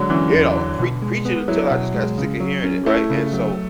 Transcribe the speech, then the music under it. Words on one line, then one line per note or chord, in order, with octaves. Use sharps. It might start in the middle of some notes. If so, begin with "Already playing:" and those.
you know, pre preach it until I just got sick of hearing it, right? And so,
Already playing: D3 F#3 G#3
E3 C#4
E2
D3
B2
G#3
B3
F#3 E4
B2
G#3
C#3
F#3
C#4
A3 E4
C#3
F#3